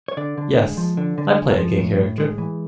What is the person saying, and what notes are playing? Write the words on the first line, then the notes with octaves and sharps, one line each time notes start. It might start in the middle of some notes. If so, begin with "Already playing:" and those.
Yes, I play a gay character.
C#5
D3 D5
D3
G#3
F3
D3
D3
G#3
F3
A2
A2
G#3
E3